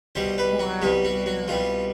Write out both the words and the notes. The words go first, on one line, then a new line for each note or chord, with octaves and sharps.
Wow, yeah.
C2 B2 G3 C5
B4
F#4
C2 B2 G3 G4
F#4
F#4
C2 B2 G3 F4